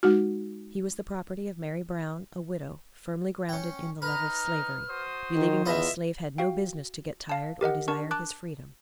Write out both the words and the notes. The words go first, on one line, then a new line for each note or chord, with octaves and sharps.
He was the property of Mary Brown, a widow, firmly grounded in the love of Slavery; believing that a slave had no business to get tired or desire his freedom.
G#3 D#4 F#4
C#4 G5
D#4 B4 A#5 F6
F#4 C5 D#6
D#3
E2 F4 B4 D#5 E5
F#4 F5 G5
F5 A5
G4 A#4 D#5 F#5
D4 A#4 A5 C#6
A5 D6 F#6